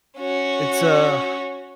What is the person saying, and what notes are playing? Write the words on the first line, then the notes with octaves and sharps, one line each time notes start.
It's a
C#4 F#4